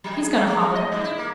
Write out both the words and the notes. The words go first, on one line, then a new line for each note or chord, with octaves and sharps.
He's going to holler.
F#3
G#4
G#4
A3
E4
D#5
G2
E4
A#3